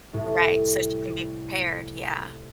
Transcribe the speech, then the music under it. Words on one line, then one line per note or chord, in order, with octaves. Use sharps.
Right, so she can be prepared. Yeah.
C2 A2